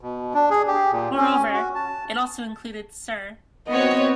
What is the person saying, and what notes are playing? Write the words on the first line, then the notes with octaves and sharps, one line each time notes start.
Moreover, it also included cir.
B2
D4
G#4
G4
A#2
C#4
F#4
A5
B3 C4 F#4 C#5 D#5